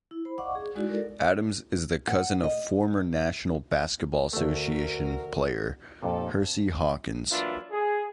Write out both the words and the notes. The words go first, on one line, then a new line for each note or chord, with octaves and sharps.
Adams is the cousin of former National Basketball Association player Hersey Hawkins.
E4
C5 B5
D5 D#5 F5 F#5 C#6 D6
G#4
G#3 D#4 E4 F#4 D5
A4 A#4 D5
F#5
D#5
D2 A3 F#4 A#4
F2 A#2 D#4 G4 A4
E3 F#3 A#3 D4 E4 F4
G#4